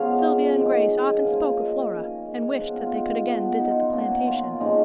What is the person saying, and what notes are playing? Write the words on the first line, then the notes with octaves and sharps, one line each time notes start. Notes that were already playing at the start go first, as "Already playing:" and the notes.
Sylvia and Grace often spoke of Flora, and wished that they could again visit the plantation.
Already playing: C#3 F3 G#3 B3 C#5 F5
D#3 G#3 C#4
G#5
F5
F3 A#3 C#4
D#5
D#3 G#3 C#4
D#5
C#5
B4
F3 B3 G#4
F4
F4
D#4
F3 B3
D#4
F4
F#4
B2 A#3 C#4
F4
A#2 F3 G#3 C#4 D#4